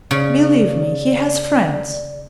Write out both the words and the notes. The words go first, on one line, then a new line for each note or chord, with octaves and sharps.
Believe me, he has friends.
C#3 D5